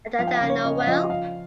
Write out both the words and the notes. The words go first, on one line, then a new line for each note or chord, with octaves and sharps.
And that I know well!
F3 F5
G5
F5
C#3
C#5
C#3 D#5
F5
F3 D#5
F3 F5